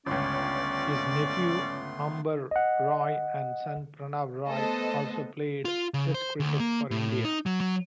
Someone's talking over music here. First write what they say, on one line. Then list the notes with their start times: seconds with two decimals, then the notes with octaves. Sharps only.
His nephew Ambar Roy and son Pranab Roy also played Test cricket for India.
0.07 G1 C#2 A3 B3 C#4 D5 C6
2.51 D#5 F#5
4.46 A3 B3 A4 C5 D#5
5.65 F4
5.94 C#3
6.14 C5
6.40 D2
6.60 A#3
6.91 A2
7.25 D#4
7.46 F#3
7.61 F#3